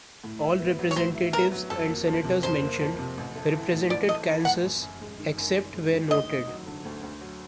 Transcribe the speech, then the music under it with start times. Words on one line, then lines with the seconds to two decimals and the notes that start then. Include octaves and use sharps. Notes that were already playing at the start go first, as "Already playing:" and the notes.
All representatives and senators mentioned represented Kansas except where noted.
0.24 A2
0.41 E4
0.60 B3
0.79 F#3
0.91 C#5
0.96 A2 C5
1.15 E4
1.33 B3 A#4
1.51 F#3
1.70 F2 A4
1.88 A#3
2.07 F3
2.24 C3
2.43 F2 C5
2.62 A#3
2.80 F3
2.98 C3
3.17 A1
3.35 A3
3.54 E3
3.72 A2
3.90 A1 D5
4.09 A3 D#5
4.26 E3
4.45 A2 F#5
4.64 F#2
4.82 F#2
5.01 G#3
5.19 D#3
5.38 F#2
5.55 F#2
5.74 G#3
5.93 D#3
6.11 D2 D#5
6.29 D2
6.47 F#3
6.66 D3
6.85 D2
7.03 D2
7.21 F#3